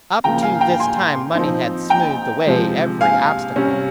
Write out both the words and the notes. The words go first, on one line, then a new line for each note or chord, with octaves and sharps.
Up to this time money had smoothed away every obstacle.
C#3 F3 A#3 G5 A#5
F5 G#5
G5 A#5
G#5 C6
F3 C4 D#4
G5 A#5
C3 F3 G#3
F5 G#5
C3 G3 C#4